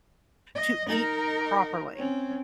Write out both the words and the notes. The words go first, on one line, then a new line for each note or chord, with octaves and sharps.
to eat properly.
D#5
D#4 A#4
C4 C#4